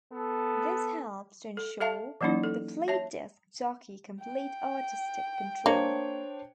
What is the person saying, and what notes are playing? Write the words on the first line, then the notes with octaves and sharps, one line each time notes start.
This helps to ensure the Fleet disk jockey complete artistic control.
B3 A4
A4
A4 E5 F5 A5
E3 F#3 A#3 C#4 D#4 E4
A4
C#5 E5 A5
G5
A#3 D4 C5 C#5